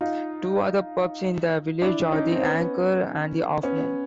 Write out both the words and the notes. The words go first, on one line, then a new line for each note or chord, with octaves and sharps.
Two other pubs in the village are The Anchor and The Half Moon.
D#4 F4
D4 E4
C#4 D#4
C4
B3 C#4
B3 C#4